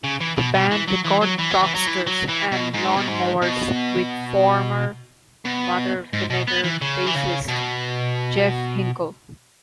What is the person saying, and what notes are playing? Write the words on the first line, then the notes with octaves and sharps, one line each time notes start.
The band recorded Rockstars and Lawnmowers with former Mother Vinegar bassist Jeff Hinkle.
C#3
E3
B2
B2
E3
F#3
E3
F#3
E3
F#3
E3
F#3
E3
F#3
E3
B2
G#2
B2
G#2
B2
B2
G#2
B2
B3
E3
C#3
E3
C#3
B2